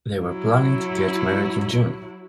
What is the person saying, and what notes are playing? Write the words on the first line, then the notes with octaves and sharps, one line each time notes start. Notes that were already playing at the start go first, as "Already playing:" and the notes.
They were planning to get married in June.
F#3 E4